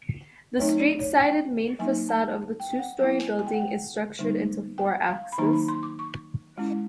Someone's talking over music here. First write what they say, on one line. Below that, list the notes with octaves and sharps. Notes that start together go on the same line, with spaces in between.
The street-sided main facade of the two-story building is structured into four axes.
F#3 A3 C4 D#4 C#5
D5
C#5
G5
F#3 A#3 D#4 G#5
A5
G5
G5
F#5
F#3 B3 E4 G5
G#5
G#5
G5
F#5
G5
D3 G3 A#3 D#4
G5
F5
B5
D#3 F#3 A#3 D#4 A#5
B5
C6
D6
C#6
G#3 C#4 E4